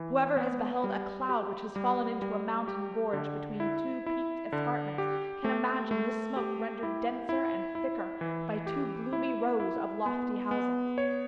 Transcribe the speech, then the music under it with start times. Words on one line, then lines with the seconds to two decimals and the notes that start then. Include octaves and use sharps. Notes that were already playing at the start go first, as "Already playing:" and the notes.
Whoever has beheld a cloud which has fallen into a mountain gorge between two peaked escarpments can imagine this smoke rendered denser and thicker by two gloomy rows of lofty houses.
Already playing: E3
0.37 B3
0.84 G3
1.29 G4
1.76 G3
2.22 G3
2.68 G4
3.13 D3
3.60 E4
4.06 E4
4.52 D3
4.98 G4
5.44 A3
5.91 A3
6.36 G4
6.83 E4
7.29 E4
7.75 E4
8.21 E3
8.67 G4
9.13 E4
9.60 E4
10.06 B3
10.51 B3
10.98 C#5